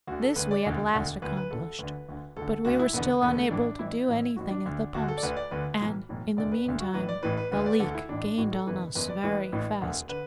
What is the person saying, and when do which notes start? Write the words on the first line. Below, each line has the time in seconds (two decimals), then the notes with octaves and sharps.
This we at last accomplished--but we were still unable to do any thing at the pumps; and, in the meantime, the leak gained on us very fast.
0.07 D2 D3 F#4
0.22 A4
0.36 D2 D3 B4
0.51 D5
0.65 E1 D2 D3
0.94 E1 D2 D3
1.22 D2 D3 B4
1.37 B4
1.51 D2 D3 A4
1.79 D2 D3 B4
2.09 D2 D3
2.37 D2 D3 A4
2.65 D2 D3 F#4
2.79 E4
2.93 E1 E2 D3 B3
3.22 E1 E2 D3 B3
3.37 A3
3.51 A1 A2 E3 D4
3.79 A1 A2 E3 E4
4.08 A1 A2 E3
4.36 A1 A2 E3 F#4
4.51 D4
4.66 D2 D3
4.94 D2 D3 F#4
5.08 A4
5.18 D5
5.23 D2 D3 B4
5.37 D5
5.51 D2 D3 B4
5.80 B1 A2 E3
6.09 B1 A2 E3
6.37 E1 D2 D3 D5
6.52 B4
6.65 E1 D2 D3
6.80 F#4
6.94 A1 A2 E3 B4
7.09 D5
7.23 A1 A2 E3 B4
7.37 B4
7.51 D2 D3 B4
7.66 D5
7.73 B4
7.80 D2 D3 A4
7.95 E4
8.09 A1 A2 E3 D4
8.37 A1 A2 E3 F#4
8.52 A4
8.67 F#1 E2 E3 B4
8.95 F#1 E2 E3 B4
9.09 D5
9.23 A1 A2 E3 B4
9.52 A1 A2 E3
9.81 E1 D2 D3
10.09 D3 B4